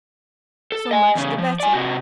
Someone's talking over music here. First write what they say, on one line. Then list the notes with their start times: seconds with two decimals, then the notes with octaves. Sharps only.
'So much the better.'
0.72 A4
0.91 D#5 G#5
1.15 E2 C#3
1.38 F3
1.60 D5 G#5
1.73 C3 F#4